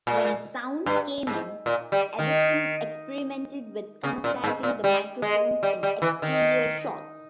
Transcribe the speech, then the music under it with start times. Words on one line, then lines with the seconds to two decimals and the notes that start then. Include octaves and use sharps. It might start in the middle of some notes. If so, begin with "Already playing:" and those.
When sound came in, Edeson experimented with camouflaging the microphones in exterior shots.
0.07 A#2
0.86 G2
1.27 G#2
1.66 A#2
1.92 G3
2.19 D#3
4.04 C#3
4.24 A#2
4.44 G#2
4.63 A#2
4.84 G3
5.22 G#3
5.63 G3
5.83 G3
6.02 E3
6.22 D#3